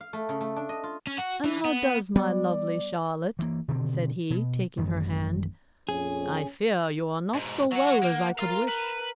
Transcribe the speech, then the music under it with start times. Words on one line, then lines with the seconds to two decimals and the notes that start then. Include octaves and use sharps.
"And how does my lovely Charlotte?" said he, taking her hand: "I fear you are not so well as I could wish."
0.01 F5
0.13 A3
0.29 C#3
0.41 A3
0.56 D4
0.69 D#5
0.84 F4
1.07 C#4
1.18 F#4
1.45 E3
1.65 B3
2.16 G3 B3 D5
3.39 E3 A#3
3.68 B2 D3 D#3 C4
4.30 B2
4.78 A1 F#2 D#3
5.89 A#1 F2 C#4 G#4
7.34 G#2 B2
7.72 F#3 F#4 F#5
8.03 A#3
8.38 F4 A#4 F5
8.68 B4